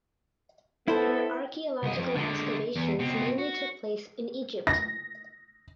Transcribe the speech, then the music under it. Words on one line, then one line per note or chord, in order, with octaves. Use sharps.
Her archaeological excavations mainly took place in Egypt.
B3 E4 A4 C5
C2 D#5
F2
D3 G#3
E2
B2 C4
F#4
A#6